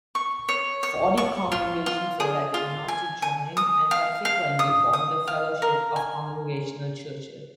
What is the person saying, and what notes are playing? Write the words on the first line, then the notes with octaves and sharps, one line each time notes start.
Forty congregations elected not to join, and subsequently formed the Fellowship of Congregational Churches.
C#6
C#5
C#5
C#6
F4
F4
G#4
F4
G#5
G#5
D#6
F5
F5
D#6
D#6
F5
A#4
G#5